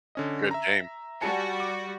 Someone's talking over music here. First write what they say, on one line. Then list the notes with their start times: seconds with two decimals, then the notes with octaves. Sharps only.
good game.
0.15 D3 C#4 D#5
0.51 E5 A#5
1.21 G3 F#4 G#5 A5 C#7
1.60 D6